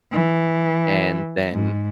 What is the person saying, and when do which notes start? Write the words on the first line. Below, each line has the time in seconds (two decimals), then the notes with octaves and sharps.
and then
0.12 E3
1.51 G#2